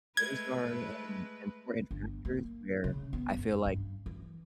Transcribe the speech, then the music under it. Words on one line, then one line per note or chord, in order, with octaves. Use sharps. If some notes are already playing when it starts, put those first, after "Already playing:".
those are, um, important factors where I feel like
G#3 A3 B4 G#6
G1
A#3
C#3
B3
F#2
G2
E3